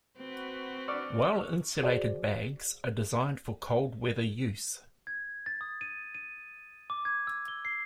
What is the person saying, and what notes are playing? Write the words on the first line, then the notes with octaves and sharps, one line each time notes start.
Well-insulated bags are designed for cold weather use.
C4 F#4 B4
D4 D5 C#6 E6 F6
F#4 G#4 C5 D5
G#6
A6
D#6
D#7
D#7
D6
G#6
E6
G7
C7